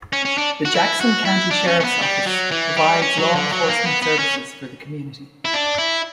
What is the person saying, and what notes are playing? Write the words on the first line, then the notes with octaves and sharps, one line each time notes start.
The Jackson County Sheriff's Office provides law enforcement services for the community.
C#4
C#4
D4
F#4
E4
F#4
E4
D4
C#4
C#4
B3
G3
F#3
E3
G3
C#4
F#3
D3
F#3
A#3
B3
B3
C#4
E4
D4
E4